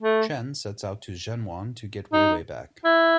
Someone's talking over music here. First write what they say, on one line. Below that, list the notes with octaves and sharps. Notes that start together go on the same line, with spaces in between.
Chen sets out to Zhenyuan to get Weiwei back.
A3
D#4
E4